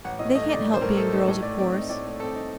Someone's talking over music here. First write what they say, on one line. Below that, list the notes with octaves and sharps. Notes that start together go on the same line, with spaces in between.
They can't help being girls, of course.
A1 F#5
A2 D#5
A3 D#5
D#4 D5
A1
C5
A2 A#4
A3 A4
D#4 A4
A2 A4
A3 D5
C4 D5
D#4
A2 D5
A3
C4 A4
D#4